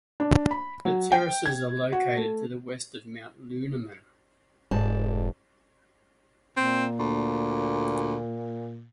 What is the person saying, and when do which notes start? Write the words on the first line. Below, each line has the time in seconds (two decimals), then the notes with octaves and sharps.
The terraces are located to the West of Mount Lunaman.
0.20 D4
0.51 B5
0.85 F#3
1.12 G5
1.46 G#6
1.92 F#4
2.17 A3
4.71 F1 G#2 D5 A5
6.57 A#2 C4
7.00 D2